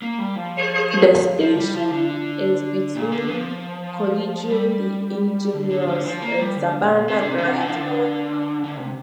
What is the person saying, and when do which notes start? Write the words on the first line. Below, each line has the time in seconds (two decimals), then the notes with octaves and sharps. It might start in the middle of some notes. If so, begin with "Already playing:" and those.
The station is between Colegio de Ingenieros and Sabana Grande.
0.02 A#3
0.18 G3
0.36 F3
1.39 F3
1.57 G3
1.74 F3
1.91 D3
2.95 A#2
3.12 D3
3.29 F3
4.50 G3
5.54 D3
5.71 D3
5.87 D3
6.05 F3
6.22 A#3
6.39 G3
6.56 D3
6.82 A#2
7.08 C3
7.18 D3
7.28 C3
7.38 D3
7.48 C3
7.60 D3
7.69 F3
7.78 D3
8.64 D3
8.76 C3